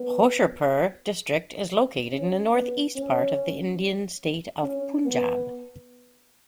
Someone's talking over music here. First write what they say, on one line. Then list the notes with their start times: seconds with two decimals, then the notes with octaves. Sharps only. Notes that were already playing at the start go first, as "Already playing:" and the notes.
Hoshiarpur district is located in the north-east part of the Indian state of Punjab.
Already playing: B3
2.12 C#4
2.54 B3
2.96 C#4
4.63 C#4
5.06 B3